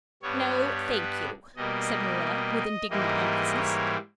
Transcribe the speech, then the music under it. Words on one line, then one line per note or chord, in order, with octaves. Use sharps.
"No, thank you," said Marilla, with indignant emphasis.
G2 G3 B3 C#5
B4
B2 G3 A#3 D#5
G#2 E3 G3 A#3 D#5
C#5